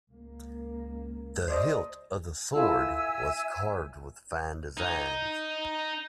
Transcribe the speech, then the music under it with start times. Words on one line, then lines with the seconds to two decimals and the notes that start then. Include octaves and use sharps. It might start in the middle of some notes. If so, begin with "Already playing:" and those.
The hilt of the sword was carved with fine designs.
0.12 C#2 A#3
1.48 C5 D5 D#5
2.55 E4 F4 A4 E5 G#5 E6
4.78 D#4